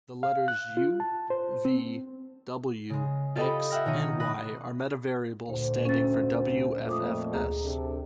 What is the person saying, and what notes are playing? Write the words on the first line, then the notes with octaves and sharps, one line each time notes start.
The letters "U", "V", "W", "X", and "Y" are metavariables standing for wffs.
F5
F#6
F4
A5
C5
C4
C#3 G#3
F4 G4 A4 D#5 G5 B5
E5 F#5 G5 F6 A#6
B2 D#3 D#4 C#5 A#5 D#7
B5 D#6 F#6 A#6 B6
D2 A#2 C5
C#4 A6
F2 A#2 A3 C5 D6 D#6
D2 G#4 A#5
C3 D4 A4